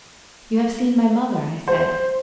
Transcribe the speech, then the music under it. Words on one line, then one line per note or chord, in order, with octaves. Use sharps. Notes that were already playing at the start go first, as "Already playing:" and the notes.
"You have seen my mother," I said.
C5